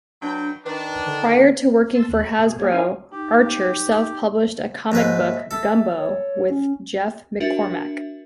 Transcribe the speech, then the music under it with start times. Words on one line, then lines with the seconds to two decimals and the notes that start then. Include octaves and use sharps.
Prior to working for Hasbro, Archer self-published a comic book, "Gumbo", with Jeff McCormack.
0.22 F#3 D4 B4 G5
0.65 D#3 D4 B4
1.06 D3
1.95 A5 C6 E6
2.08 D#2 F#6
2.23 B5 C#6
2.39 B2 G#4
2.59 A#3 G4 G#4 C#5
2.72 C#4 E4 F4 A#4 F5 G#5
3.12 D#4 G4
4.92 D#2 G#2 F3 B4
5.21 E5
5.51 A4 E5
5.98 C#5
6.50 C#4
7.40 D4 F#4 A#4 E5